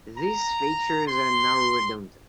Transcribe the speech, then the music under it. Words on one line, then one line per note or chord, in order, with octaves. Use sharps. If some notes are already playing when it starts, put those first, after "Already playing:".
These features are now redundant.
A#5
C6